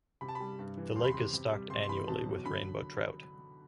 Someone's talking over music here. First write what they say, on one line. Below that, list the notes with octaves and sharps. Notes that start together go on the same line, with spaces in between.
The lake is stocked annually with rainbow trout.
C3 B5
A5
B5
G3
G2
E3
E2 C6
B5
C3 C6
C3
G3
C3 C6
C6
E3 B5
B2 A5
F#3
D3 B5